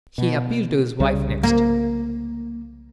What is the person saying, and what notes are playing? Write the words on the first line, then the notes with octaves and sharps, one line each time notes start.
He appealed to his wife next.
B2
C2 C#3 G3
A#3